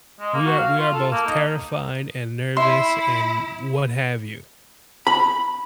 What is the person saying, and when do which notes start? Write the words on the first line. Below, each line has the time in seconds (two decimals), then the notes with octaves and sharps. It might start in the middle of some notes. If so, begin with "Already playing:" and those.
We are we are both terrified and nervous and what have you.
0.20 G#3
0.34 A#3
0.46 F#4
0.58 F5
0.78 F4
0.94 A4
1.12 A#3
1.26 D#4
2.57 E4 E5 B5 C6
5.07 B5